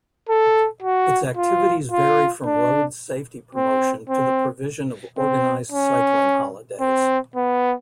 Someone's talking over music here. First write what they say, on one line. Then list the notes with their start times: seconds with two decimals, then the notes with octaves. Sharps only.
Its activities vary from road safety promotion to the provision of organised cycling holidays.
0.29 A4
0.82 F#4
1.37 F4
1.92 F4
2.46 D4
3.55 C4
4.09 C4
5.18 C4
5.72 C#4
6.81 C4
7.36 B3